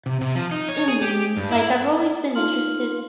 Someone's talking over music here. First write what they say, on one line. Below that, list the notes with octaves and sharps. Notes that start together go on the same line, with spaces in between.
Mhm, like, I've always been interested,
C3
C3
F3
D#4
C#5
G#4
G4
G2
E4
D#4 F4 F5 C6 F6 F#7